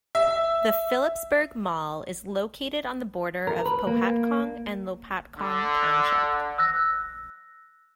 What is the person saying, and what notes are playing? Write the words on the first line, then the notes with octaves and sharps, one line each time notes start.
The Phillipsburg Mall is located on the border of Pohatcong and Lopatcong Township.
E5
A#4
B4
A#3
D3
E6 F#6 A#6